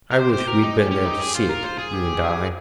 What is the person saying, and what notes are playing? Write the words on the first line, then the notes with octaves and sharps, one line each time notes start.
I wish we had been there to see it, you and I.
A#4
G4 C5
C5
A#4
D#4
C#4 G4
C#4
D#4
G#4
F4 C5
A#4
C5
G#4
G4